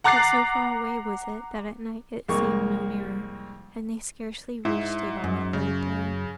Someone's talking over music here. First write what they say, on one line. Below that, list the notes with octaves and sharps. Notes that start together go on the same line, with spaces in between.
But so far away was it that at night it seemed no nearer, and they scarcely reached it on the third day.
F#5 A#5 D6 F#6 A6 C7
C2 F2 G#3 A#3 C#6
G#2 E4
F#2
C#3